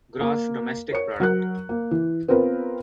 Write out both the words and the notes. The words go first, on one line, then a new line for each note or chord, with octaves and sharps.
Gross Domestic Product.
A#3
A#4 C#5 C#7
F#3 A#4 F#6
A#3
E3
B3 C4 F4 A#4 B4